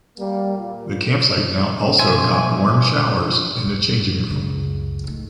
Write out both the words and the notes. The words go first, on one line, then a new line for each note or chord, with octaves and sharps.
The campsite now also got warm showers and a changing room.
G3 A#3
A#2
B2 F3 C5 E5 G#5
E2
C#2
C#2 F#2
A2 D#3